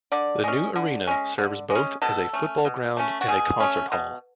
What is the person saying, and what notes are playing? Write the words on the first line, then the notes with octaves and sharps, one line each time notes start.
The new arena serves both as a football ground and a concert hall.
D3 D5
G#3 C#4
D3
G#3 C#4
D3
G#3
C#4
B2 A4
A3 C#4
B2
A3 C#4
F#4
B2 G#4
A3 C#4
B2